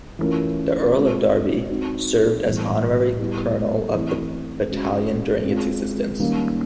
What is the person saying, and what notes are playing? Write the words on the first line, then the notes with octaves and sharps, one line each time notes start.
The Earl of Derby served as honorary colonel of the battalion during its existence.
E3 A3 C#4 F4 A#4
G#3 C4 F4
C4 D#4 F#4
A2 E3 G3 B3
G3 B3 E4 G4
E3 A3 C4 E4
G#3 C#4 F#4
G#3 C4 F4
D#3 G3 A#3 C#4